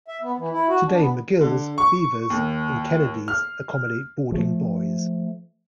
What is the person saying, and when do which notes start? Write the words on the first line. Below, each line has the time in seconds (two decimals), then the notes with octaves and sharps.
Today McGill's, Beevor's and Kennedy's accommodate boarding boys.
0.08 E5
0.22 B3
0.38 E3
0.52 E4
0.68 F#4
0.86 D4
0.99 B3
1.41 D3
1.78 C#6
2.30 D#2
3.28 F6
4.32 F3 A3